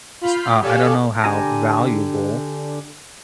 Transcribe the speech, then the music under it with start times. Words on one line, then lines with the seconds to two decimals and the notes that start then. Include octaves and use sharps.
s uh, I don't know how valuable,
0.21 F4 B5 F6 G6 B6 C7
0.62 G4 A4 C#5 D5 F5 G#5
1.24 D3 D4 G4 G#5 A#5